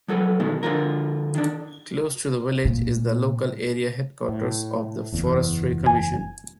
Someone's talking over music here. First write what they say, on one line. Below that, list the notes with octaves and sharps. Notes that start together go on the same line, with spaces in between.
Close to the village is the local area headquarters of the Forestry Commission.
F3 F#3 A4 B4
B2 D#3 G#3 A3
D3 F3 F4 A#4
D#3 D4
A#2
A2
F#1 E2
G#5